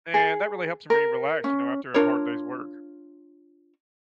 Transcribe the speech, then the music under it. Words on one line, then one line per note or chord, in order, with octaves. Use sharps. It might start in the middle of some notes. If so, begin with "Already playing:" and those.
And that really helps me relax, you know, after a hard day's work.
G#4
A#4
C#4
D4 F4 A#4 C#5